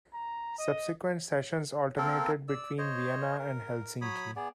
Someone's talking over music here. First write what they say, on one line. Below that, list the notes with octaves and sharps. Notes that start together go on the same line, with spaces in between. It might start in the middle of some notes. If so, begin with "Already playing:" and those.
Subsequent sessions alternated between Vienna and Helsinki.
A#5
D#5
A#3 C4 A4 A#4
D5 E6
C5 C#5 D#5
A#4
F#3 C#5 B5 D#6
B3 G#4 D5